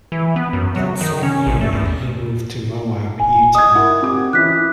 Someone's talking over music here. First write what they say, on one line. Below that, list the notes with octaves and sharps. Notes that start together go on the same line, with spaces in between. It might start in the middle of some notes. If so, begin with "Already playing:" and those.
That same year he moved to Moab, Utah.
E3
B3
F#2
F#3
D#3
C#4
A1
A3
E2
G#5
D#5 D#6 G#6
E4 A#4 F#5
C4 G4 D6
E3 C#4 E4 F#6 B6
E4